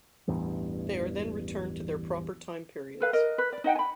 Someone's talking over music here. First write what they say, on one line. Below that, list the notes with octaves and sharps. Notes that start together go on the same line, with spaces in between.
They are then returned to their proper time periods.
A1 E2 G2
A4 B4 F5
A#4 D#5
B4
D5
D#4 D#5 F#5 G5
G#5 B5